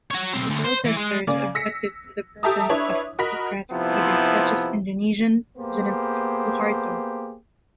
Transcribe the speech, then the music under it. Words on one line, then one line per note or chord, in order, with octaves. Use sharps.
The protesters objected to the presence of autocratic leaders such as Indonesian president Suharto.
F#4 C#5
B1 C4
D2 D3
C5
E3
G#3
C#3 A#3 D5 G#5
E6 A#6 B6 C#7
G4 A4 E5 A5 A#5 D#6
D4 E4 B4 C#5 E5
F#4 A#4 D#5 B5 B6
C3 F3 B3 E4
A#3 B3 G4 G#4 C5